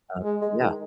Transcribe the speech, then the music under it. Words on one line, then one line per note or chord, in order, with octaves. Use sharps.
uh, yeah.
G#3
G#3
D#3